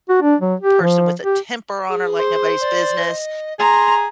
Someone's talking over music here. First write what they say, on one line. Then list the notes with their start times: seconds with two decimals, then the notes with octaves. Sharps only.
person with a temper on her like nobody's business,
0.09 F#4
0.22 D4
0.41 F#3
0.60 G4
0.81 F3
1.24 G4
1.88 G#4
2.19 C5
2.60 D5
3.07 D#5
3.59 G#4 A#5 C6